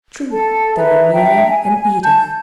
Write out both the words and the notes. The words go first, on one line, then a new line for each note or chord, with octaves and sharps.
True, there were Miriam and Edith!
A4 A5
G#4 B4 E5 A#5
D4 E5 G5 A#5
G#5
A5 G6